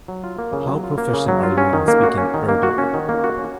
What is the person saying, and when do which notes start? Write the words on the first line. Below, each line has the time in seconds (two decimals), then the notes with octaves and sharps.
How proficient are you in speaking Urdu?
0.08 F#3
0.24 F4
0.39 A#3
0.53 C#3
0.68 F#3
0.84 F4
0.98 A#3
1.13 C#3
1.28 F#3
1.43 F4
1.58 C#4
1.73 D#3
1.88 A#3
2.03 F#4
2.18 C#4
2.34 D#3
2.49 A#3
2.63 F#4
2.78 C#4
2.94 D#3
3.09 A#3
3.24 F#4
3.38 C#4